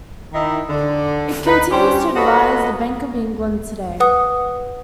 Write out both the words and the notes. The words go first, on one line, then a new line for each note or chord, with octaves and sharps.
It continues to advise the Bank of England today.
D#3 D#4 E4
D3
D#4 B4
G3 C#4 D4 G4 C5
F4 F#4 A4 B4 C#5 D#5
B4 F#5 D#6